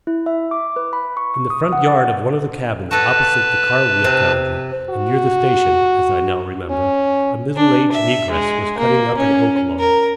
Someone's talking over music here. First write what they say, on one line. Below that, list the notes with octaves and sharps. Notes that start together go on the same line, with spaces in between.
In the front yard of one of the cabins opposite the car-wheel foundry, and near the station, as I now remember, a middle-aged negress was cutting up an oak log.
E4
E5
D6
B4
B5
C#6
C#6
D#6
F#5
A6
F#4 A4 B4 A5
C3
F#4
C#4
D4
E5
G#3
A#3
C#4
A#4